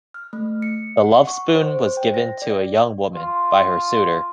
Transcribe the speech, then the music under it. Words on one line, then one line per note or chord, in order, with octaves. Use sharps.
The lovespoon was given to a young woman by her suitor.
F6
A3
C#7
F#5
C#6
C5
C5
G5
A#6
D5
F4